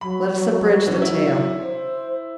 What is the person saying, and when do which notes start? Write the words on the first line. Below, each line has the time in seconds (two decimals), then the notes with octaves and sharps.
Let us abridge the tale.
0.01 F#3 B5
0.87 E3 C#4
1.02 E4
1.62 C5